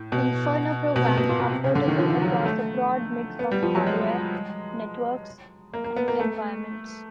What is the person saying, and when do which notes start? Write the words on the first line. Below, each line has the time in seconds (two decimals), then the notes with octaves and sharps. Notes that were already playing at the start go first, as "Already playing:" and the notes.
Inferno programs are portable across a broad mix of hardware, networks, and environments.
Already playing: A2
0.12 B2
0.96 B2
1.05 C3
1.17 B2
1.29 A#2
1.40 B2
1.52 C3
1.64 C#3
1.75 D3
1.88 D#3
1.98 F3
2.11 F3
2.22 F#3
2.45 A3
3.39 B3
3.51 G3
3.63 F3
3.75 F#3
3.86 G#3
5.74 A#3
5.84 A#3
5.96 B3
6.08 A#3
6.19 A3